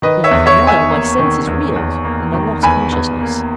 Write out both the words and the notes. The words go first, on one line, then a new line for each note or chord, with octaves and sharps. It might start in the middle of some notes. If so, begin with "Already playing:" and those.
In a little while my senses reeled and I lost consciousness.
D#3 B4 D#5
C#5 E5
E2
C#5 E5
E2
E5 G#5
A#3
D#3
E2
E2
A#3
D#3
E2 G#5 B5
E2
A#3